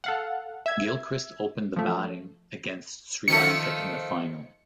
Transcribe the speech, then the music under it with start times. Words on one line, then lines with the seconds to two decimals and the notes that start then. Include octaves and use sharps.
Gilchrist opened the batting against Sri Lanka in the final.
0.04 A4 F5 F#5
0.66 E5 G#6
1.76 F3 A3
3.28 D#3 F3 A3 C#7